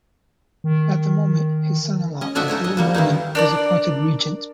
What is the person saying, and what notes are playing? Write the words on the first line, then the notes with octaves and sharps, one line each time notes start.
At the moment, his son-in-law Abdul Momin was appointed regent.
D#3
C#4 D#5
F3 A3 D4 F#4 D#5 E5
D#4 A4 C#5 G#5
D#5
G3 A#3 F#4
D#3 E3 A#3 D#4
D4 A#4 D5